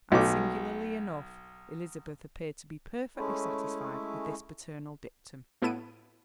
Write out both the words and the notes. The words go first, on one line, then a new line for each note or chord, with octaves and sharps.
And singularly enough, Elizabeth appeared to be perfectly satisfied with this paternal dictum.
B1 A3 D6
G#3 A3 C#4 E4
A2 B3 E4 A4 D7 D#7